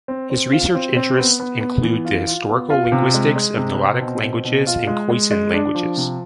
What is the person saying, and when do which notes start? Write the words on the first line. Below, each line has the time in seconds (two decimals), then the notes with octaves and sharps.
His research interests include the historical linguistics of Nilotic languages and Khoisan languages.
0.08 C4
0.30 C4
0.52 F4
0.75 C4
0.96 C4
1.18 B3
1.40 B3
1.61 B3
1.83 E3
2.05 F4
2.27 F4
2.49 B3
2.70 F4
2.92 C3
3.14 G#3
3.36 G#3
3.57 C3
3.79 C4
4.01 B2
4.22 C4
4.44 B2
4.67 F4
4.87 G#3
5.10 G#3
5.31 G#3
5.53 D4
5.75 F3
5.97 C3